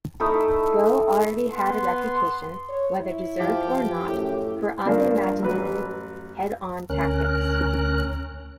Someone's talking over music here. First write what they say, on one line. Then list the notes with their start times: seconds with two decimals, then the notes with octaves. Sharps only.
Gough already had a reputation, whether deserved or not, for unimaginative head-on tactics.
0.20 A3 D#4 E4 A4
1.50 B3 C6
2.69 C#5
2.99 E4
3.40 F3 G4
4.08 F#2 A2
4.86 G2 F3 A#3 D4
5.42 A1 F#3 B4
6.89 D2 C#4 A#4 F#6